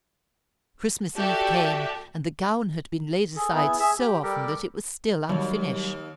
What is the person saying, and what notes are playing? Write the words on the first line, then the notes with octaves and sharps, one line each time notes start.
Christmas eve came, and the gown had been laid aside so often that it was still unfinished.
F#4 G4 A4 D5 E5 A5
G#4 A4
B3 E4 G#4
G#4 E5
G4
G3 G4 A4 A#4
D#2 F#3 G3